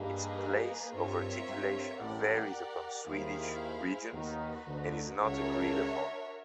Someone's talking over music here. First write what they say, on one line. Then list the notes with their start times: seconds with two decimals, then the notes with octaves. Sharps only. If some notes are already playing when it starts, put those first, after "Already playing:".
Its place of articulation varies over Swedish regions and is not agreed upon.
Already playing: G2 A#3 D#4 G#4 B4
0.94 G2 C4 F4 A#4 C#5 E5
1.48 G2
2.00 A1 A2 G4 A#4 D5 F#5
3.07 D#2 D#3 E4 G#4 C5 F5
4.13 D#2 D#3 D#4 F#4 B4
4.67 D2 D3
5.19 C#2 C#3 D4 F#4 A#4 C#5 E5